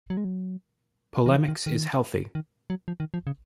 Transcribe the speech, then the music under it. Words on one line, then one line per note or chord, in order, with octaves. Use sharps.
Polemics is healthy.
F#3
G#3
F#3
D#3
F3
D#3
D#3
D#3
F#3
F3
D#3
F3
C#3